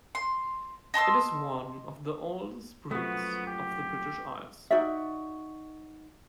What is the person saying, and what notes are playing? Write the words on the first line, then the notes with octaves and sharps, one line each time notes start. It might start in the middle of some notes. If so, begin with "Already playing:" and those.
It is one of the oldest breeds of the British Isles.
C6
D#5 A5 C6 E6
F#2 A#2 F3 A3 B3 F#4
G4
D#4 F#4 D5 E5